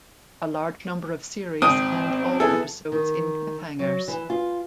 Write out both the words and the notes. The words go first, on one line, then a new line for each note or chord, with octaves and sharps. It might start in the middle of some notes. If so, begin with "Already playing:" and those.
A large number of series end all episodes in cliffhangers.
G#1 C4 D#6
B3 E4 G#4 A4
D#3
F#3
E3
F4